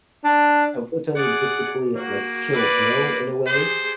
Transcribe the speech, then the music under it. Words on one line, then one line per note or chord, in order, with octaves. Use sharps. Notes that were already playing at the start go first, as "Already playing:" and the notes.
so Kill Tony is basically like Kill Bill in a way,
D4
G#4 D5 F#5
A#3 F#4
B4 D5
G4 G#4 C5